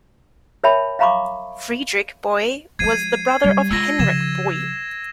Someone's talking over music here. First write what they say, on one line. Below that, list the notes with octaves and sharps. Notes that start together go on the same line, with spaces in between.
Friedrich Boie was the brother of Heinrich Boie.
A#4 C#5 E5 G5 A5 B5
E5 F5 A#5 B5 C#6 D6
F3 G#3 G#6 C7 D#7
G3
G#3 F4 E6 G#6 A#6
C#3 F3 G#6 E7